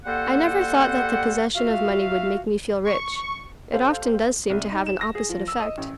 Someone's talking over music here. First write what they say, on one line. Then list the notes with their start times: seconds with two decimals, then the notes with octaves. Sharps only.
I never thought that the possession of money would make me feel rich: it often does seem to have an opposite effect.
0.05 G3 A#3 A4 C5 F#5
1.56 F4 F#4 E5 F5
2.85 C#6
3.72 G4 A4 C5 F5
4.50 C2
4.71 D#4
4.86 E7
5.01 A#6
5.15 G#4
5.29 F3
5.48 E6
5.60 D#5
5.78 A1